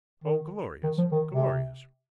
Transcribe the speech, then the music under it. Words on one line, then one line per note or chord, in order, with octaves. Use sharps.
Oh, glorious, glorious!
D#3
D#3
F3
D#3
C3